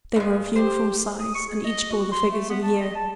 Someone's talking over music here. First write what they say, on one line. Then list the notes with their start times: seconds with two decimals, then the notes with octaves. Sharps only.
They were of uniform size and each bore the figures of a year.
0.16 G2 G#3
0.56 G4 C5
1.20 D#6
1.35 C#6
1.48 G#4
1.64 D#5
1.91 F#4
2.12 C6
2.31 A3
2.50 B3
2.63 A5
2.81 D#5
2.95 A5